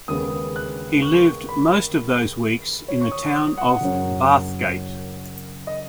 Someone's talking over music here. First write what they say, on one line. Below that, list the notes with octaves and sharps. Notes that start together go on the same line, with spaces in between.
He lived most of those weeks in the town of Bathgate.
D#2 C#3 G#3 B3 D#6
F#6
C#6
B5
C#5
C#6
D#6
D#6
F#5
F#1 F#2 F#3 C#4
D#5